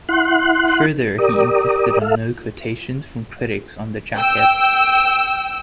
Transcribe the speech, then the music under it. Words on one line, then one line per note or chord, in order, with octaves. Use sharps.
Further, he insisted on no quotations from critics on the jacket.
E4 F#5 C6 F#6
G4 A#4 D5 D#6
A4 E5 F5
G5 E6